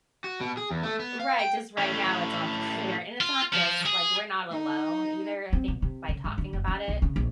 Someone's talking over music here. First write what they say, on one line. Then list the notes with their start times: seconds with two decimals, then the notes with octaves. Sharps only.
Right. Just right now, it's on fire, and it's not just like, we're not alone, either. I think, by talking about it
0.24 F#4
0.41 B2
0.57 G#4
0.71 E2
0.83 A3
1.00 B3
1.20 F5
1.39 G5
1.78 A2 C#4
3.21 F4
3.54 F3
3.86 G#4
4.51 D#4
5.53 C4
5.68 B2
5.82 C3
6.09 C#3
6.24 G#2
6.38 D3
6.53 F#1
6.68 C#4
6.88 B1
7.02 C#3
7.16 A#1